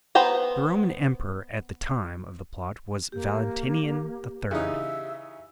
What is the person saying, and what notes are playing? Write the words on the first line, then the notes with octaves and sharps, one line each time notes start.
The Roman emperor at the time of the plot was Valentinian III.
B3 C5 F#5 G5 A#5
A#3 G4
C#3 E3 D#4 E5